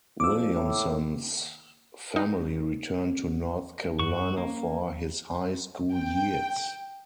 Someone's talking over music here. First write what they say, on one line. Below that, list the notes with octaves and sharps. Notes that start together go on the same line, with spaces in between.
Williamson's family returned to North Carolina for his high school years.
F2 D6 E6
A2
D#4
F#2 F#4 C#6
A#3 C#4
G5